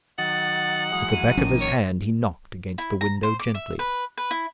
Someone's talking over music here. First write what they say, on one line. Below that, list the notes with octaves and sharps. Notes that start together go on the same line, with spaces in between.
With the back of his hand he knocked against the window gently.
D#3 F#3 D#5 F#5 A6
E3 F#3 G#3 D#6
D#7
G#1 D#3 F3 A#3 C#4
C#5
E4
A#5
C5
D6
E5
B4
B4
E4